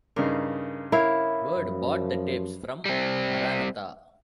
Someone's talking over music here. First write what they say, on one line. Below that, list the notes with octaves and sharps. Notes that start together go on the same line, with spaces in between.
Word bought the tapes from Maranatha!
G2 C#3 D#4 A#4
E4 A#4 C#5 F5
F#2 F3
G3 C4